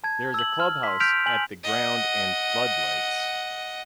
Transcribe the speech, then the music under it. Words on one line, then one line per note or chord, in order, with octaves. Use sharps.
There is a clubhouse at the ground and floodlights.
A5 G#6
E6 F#7
F6
C6 B6
F6 G6 B6 D7 F7
G#5 F#7
D#5 F#5